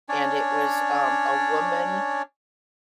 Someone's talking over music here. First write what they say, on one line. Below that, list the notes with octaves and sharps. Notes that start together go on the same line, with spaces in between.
and it was, um, a woman
C#4 D4 C#5 D5